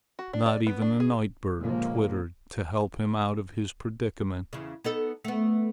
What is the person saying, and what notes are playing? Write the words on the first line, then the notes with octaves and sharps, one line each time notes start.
Not even a night bird twittered to help him out of his predicament.
F#4
D4
D5
B3
D4
G#4
G1 A#2 C#3 F3 G#3 A#3
E2 C#3
B3 D#4 A4
A3 B3